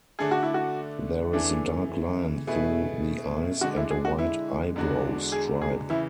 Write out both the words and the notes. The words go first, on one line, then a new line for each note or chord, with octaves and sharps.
There is a dark line through the eyes and a white eyebrow stripe.
D3 A3 D4 G#4 A4
F#4
E4
F#4
E3 A3 D4 E4 G#4
B2 A3 E4 G#4 B4
D3 G#3 D4 F#4
E4
G#4
F#4
E4
E2 D3 G#3 D4 F#4
G#4
G#4
C#3 E3 E4